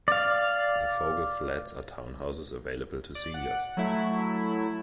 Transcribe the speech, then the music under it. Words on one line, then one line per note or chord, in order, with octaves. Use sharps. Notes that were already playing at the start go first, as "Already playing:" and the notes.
The Fogle Flats are townhouses available to seniors.
D5 F5
D5
F#5
F#3 A3 E4